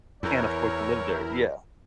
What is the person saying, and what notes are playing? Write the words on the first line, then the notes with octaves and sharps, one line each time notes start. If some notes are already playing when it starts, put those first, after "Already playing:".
Can't afford to live there. Yeah.
E2 E4 A#4 C#5